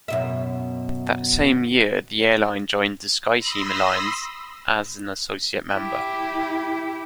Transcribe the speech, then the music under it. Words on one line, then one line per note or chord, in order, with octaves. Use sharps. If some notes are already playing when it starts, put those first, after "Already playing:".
That same year, the airline joined the SkyTeam alliance as an associate member.
F#2 B2 E5
B5 C6 D#6 E6 A#6
E4 G4